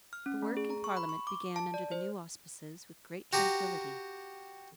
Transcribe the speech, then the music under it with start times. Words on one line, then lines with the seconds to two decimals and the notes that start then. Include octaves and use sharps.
The work in Parliament began under the new auspices with great tranquillity.
0.13 F6
0.26 C#4
0.42 A3
0.57 G#4
0.70 A#5
0.84 C#6
0.97 B5
1.09 C#6
1.27 D6
1.56 A5
1.74 D5
1.92 C5
3.33 F#4 G4 A#5